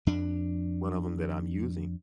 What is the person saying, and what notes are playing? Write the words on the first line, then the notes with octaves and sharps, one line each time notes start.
one of 'em that I'm using,
F2 D4